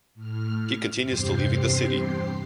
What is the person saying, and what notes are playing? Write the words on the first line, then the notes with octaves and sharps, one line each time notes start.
He continues to live in the city.
A2 F6
E2 G2 C3 G4 C5 C7